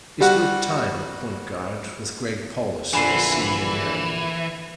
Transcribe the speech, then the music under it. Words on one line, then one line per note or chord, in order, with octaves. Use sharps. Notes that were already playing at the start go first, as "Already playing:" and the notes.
He split time at point guard with Greg Paulus in his senior year.
G3 F#4 F#5
A#1 D3 E3 G#5 B5 C7